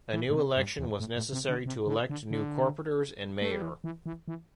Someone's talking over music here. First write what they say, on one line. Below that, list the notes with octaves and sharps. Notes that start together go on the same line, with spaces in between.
A new election was necessary to elect new Corporators and Mayor.
E3
A2
C3
G2
E2
A2
A2
C3
D3
C3
D3
D3
D3
A3
G3
E3
E3
E3
E3